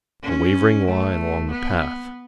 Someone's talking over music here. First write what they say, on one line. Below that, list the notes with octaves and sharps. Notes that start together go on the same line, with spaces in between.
A wavering line along the path.
C#4
A3
B3